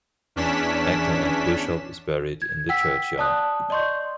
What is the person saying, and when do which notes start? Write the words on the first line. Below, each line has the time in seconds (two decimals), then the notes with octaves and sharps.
Actor Ed Bishop is buried in the churchyard.
0.36 E2 C#4 D4 B6 E7
2.42 G#6
2.69 F#5 G5 E6 B6
3.18 D5 A5 D#6 F#6
3.70 D5 D#5 C6 C#6 G6